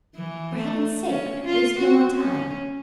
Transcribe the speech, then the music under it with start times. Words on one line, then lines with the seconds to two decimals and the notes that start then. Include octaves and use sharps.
For heaven's sake, waste no more time.
0.16 E3
0.56 A3
1.07 C#4
1.45 F4
1.79 F#4
2.14 C#4